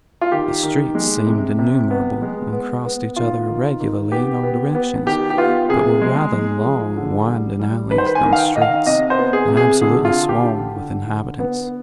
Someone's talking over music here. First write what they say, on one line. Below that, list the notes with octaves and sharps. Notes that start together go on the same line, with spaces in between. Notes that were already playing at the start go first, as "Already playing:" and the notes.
The streets seemed innumerable, and crossed each other irregularly in all directions, but were rather long winding alleys than streets, and absolutely swarmed with inhabitants.
F4
D#3 G4
D#3
G#3
C3
C3
B3
G#3
B3
B3
D#3 F4
D#3
D#3
B3 G4
B3
B3
D#3 G4
G4
B3 F4
C3 G#4
G#3
G#3
F3
D3
G3
G3
D#3 B4
C5
B4
G#5
D#3
F5
G5
D#3 D#5
F5
C3 D#5
C5
B3
G#4
C3
G#4
D3 G#4
F4
D3
G4
D3
D3
D3
B3